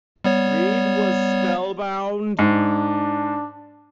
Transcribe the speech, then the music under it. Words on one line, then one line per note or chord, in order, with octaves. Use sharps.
Reid was spellbound.
G3 B3 C#5
G#2 D4